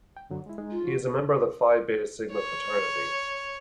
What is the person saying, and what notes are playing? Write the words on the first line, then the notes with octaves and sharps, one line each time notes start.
He is a member of the Phi Beta Sigma fraternity.
G5
F#2 D3 F#3
G#3 E4
G#3 D#4
F4
F3 F#4
C#5